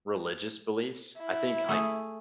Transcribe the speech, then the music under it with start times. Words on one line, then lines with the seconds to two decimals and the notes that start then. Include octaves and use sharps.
religious beliefs, I think, l c
1.20 E4
1.69 A3 G#4